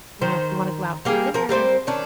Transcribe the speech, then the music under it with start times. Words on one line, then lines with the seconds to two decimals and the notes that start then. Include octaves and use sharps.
"You know, if you wanna go out to dinner"
0.22 D#3 C5
1.05 G3 A#3 G4 G#4
1.34 F3 A#4
1.49 G3 A#3 C4 C5
1.87 D#3 C#4 D4